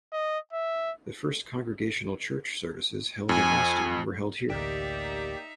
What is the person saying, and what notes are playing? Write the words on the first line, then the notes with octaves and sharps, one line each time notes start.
The first Congregational church services held in Austin were held here.
D#5
E5
F2 G#5
A1 D2 A#3 D#4 G4 D5 E5